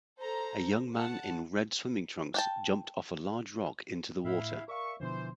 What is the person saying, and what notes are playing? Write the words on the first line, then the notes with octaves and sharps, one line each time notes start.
A young man in red swimming trunks jumped off a large rock into the water.
A4 C5 A#5
F#5 A5
D4 G5 A5
A2 E4 E5 F5 F#6 B6
A#4 D5 E5 F5 C#6
B2 D3 E3 F3 C5